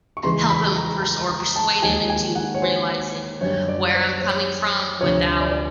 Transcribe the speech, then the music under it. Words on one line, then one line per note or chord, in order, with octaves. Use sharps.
help him pers or persuade him into realizing where I'm coming from without
C#6
E2 C#3 E3 G#3 C6
B5
A#5
A#5
A#5
A5
D#2 D#3 G#3 G#5
G#5
F#5
C#5
C5
F#2 D3 G3 C#5
D5
C5
C#5
D2 C3 F3 C#5
C#5
D5
D5